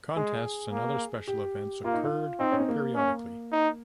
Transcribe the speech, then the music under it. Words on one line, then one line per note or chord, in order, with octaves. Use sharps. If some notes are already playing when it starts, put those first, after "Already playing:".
Contests and other special events occurred periodically.
G#3 G#4
A#3
G4
A#3 F4
D#4
F4
C4 D#4
C#4
C4
A#3
A#3 C#4
D#4